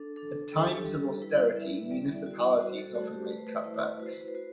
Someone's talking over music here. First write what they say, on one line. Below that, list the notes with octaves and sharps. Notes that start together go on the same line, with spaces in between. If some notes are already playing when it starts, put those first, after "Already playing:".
At times of austerity, municipalities often make cutbacks.
Already playing: D4 A4
D4 A4
G3 A4
G4
A4
G3
E4 B4
D5
E4 E5
E5
G3 D5
E5
D5
F#4
F#4 C5
A4
A3 F#4
G4
A3 B4
C5
B4
E4 C5
F#4 B4
C5
B4
C5
B4
F#4 C5